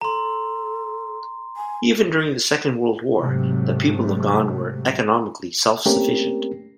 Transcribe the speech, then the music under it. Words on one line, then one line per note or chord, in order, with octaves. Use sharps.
Even during the Second World War, the people of Gan were economically self-sufficient.
A4 A#5 C6
G#5
G#2 C3 F#3 A3
A3 A#3 C4 C#4 G4 A#4